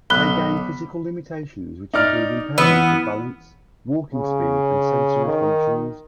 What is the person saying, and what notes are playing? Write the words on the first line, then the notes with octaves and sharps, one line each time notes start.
They gain physical limitations which include impairment of balance, walking speed and sensory functions.
B1 B5 F#6 G7
D#4 D5 F6
E3 B3 D#6 E6
C#3
D#3